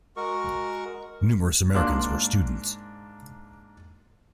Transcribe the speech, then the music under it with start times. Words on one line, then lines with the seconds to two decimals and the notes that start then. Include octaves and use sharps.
Numerous Americans were students.
0.16 G#3 F#4 A#4 C#6
1.74 G#2 A#3 D4 C6 D6 F#6